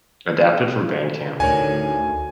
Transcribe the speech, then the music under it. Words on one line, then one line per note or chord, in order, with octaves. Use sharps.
Adapted from Bandcamp.
D2 A2 D#3 F#4 C#5 D5 G#5